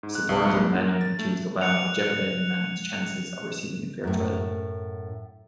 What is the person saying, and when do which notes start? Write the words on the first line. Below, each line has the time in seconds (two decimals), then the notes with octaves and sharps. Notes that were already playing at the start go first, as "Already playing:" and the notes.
Supporters of Manning accused Obama of jeopardising Manning's chances of receiving a fair trial.
0.03 G#2
0.15 F#6
0.29 C2
0.45 A#1
0.57 A#3
0.74 A#2
0.87 A#4
1.01 A6
1.19 A3
1.61 F#6 C#7 F7
4.04 F#2 A2